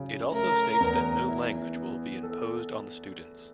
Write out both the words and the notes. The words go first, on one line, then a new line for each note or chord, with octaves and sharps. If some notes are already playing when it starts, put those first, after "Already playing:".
It also states that no language will be imposed on the students.
Already playing: C#3 F#3
A3 A#4
E2
E4
B3
A4